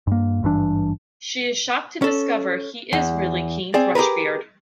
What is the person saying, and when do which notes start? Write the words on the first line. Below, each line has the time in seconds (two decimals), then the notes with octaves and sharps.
She is shocked to discover he is really King Thrushbeard.
0.07 G2 A#3
0.43 G#1 G2 E3 D4
2.02 C#4 A4
2.93 E2
3.74 C4 G#4 D5
3.95 G4 G#4 A#4 B4